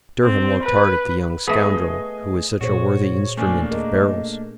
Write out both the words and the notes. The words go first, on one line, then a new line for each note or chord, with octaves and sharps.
Durham looked hard at the young scoundrel who was such a worthy instrument of Beryl's.
C4
B4
A3 B3 G#4 D#5
A#2 F#4 G#4 C5 C#5
A3 A#3 C#4 D4 G#5
G#4 A#4 D#5